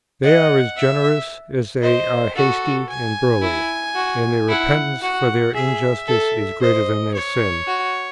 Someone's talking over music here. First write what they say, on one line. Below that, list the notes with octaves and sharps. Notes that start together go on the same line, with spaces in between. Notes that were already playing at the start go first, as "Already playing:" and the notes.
They are as generous, as they are hasty and burly; and their repentance for their injustice is greater than their sin.
D#5 F#5
E5
C5 D#5
F#4 A4
G#5
E4
F#4
E4 F#5
F#4 F#5
G#4 E5
A4
C5 D#5
C#5
F#4